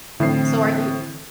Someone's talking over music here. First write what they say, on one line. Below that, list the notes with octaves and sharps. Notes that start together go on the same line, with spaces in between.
so are you
A2 D3 E3 C4 E4 C7